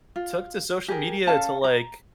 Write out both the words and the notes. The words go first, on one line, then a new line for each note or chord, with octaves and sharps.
took to social media to, like,
F4
G4 G#4 A#4
C#4 A4 F5 A5
A#5